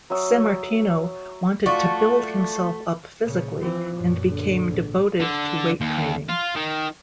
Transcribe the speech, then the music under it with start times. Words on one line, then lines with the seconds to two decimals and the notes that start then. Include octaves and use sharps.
Sammartino wanted to build himself up physically and became devoted to weight training.
0.10 F#3 E5 D#6
1.66 A3 F4 F#4 D5
3.22 A#2 C#3
3.60 E3 F3 C4
3.95 F#2 A#2
4.31 D3
4.67 A#1 G#2
5.20 D3
5.81 D#2
6.29 F4
6.56 D#3